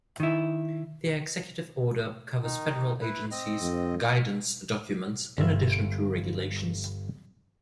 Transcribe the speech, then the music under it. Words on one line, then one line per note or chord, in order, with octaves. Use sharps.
The Executive Order covers federal agencies' "guidance documents", in addition to regulations.
D#3 E4
D#3 D#4
E4 B4
C4 D#5
F2
G1 E5